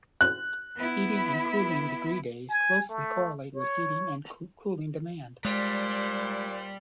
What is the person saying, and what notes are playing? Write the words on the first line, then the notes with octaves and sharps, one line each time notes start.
Heating and cooling degree days closely correlate with heating and cooling demand.
F#6
B3 E4
G#5
A3
C#5
A#2 G3 G#3 C5